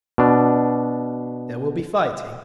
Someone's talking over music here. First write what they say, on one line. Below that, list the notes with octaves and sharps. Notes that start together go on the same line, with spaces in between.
There will be fighting.
B2 D4